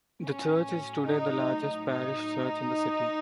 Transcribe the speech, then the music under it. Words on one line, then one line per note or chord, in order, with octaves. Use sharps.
The church is today the largest parish church in the City.
A2 F#3 C#4
D#4
D#4